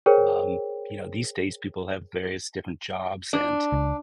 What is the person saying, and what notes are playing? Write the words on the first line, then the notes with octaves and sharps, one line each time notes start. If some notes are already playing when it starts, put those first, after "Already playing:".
um, you know, these days people have various different jobs and
G#4 A#4 C5 C#5 G5
D4
C#2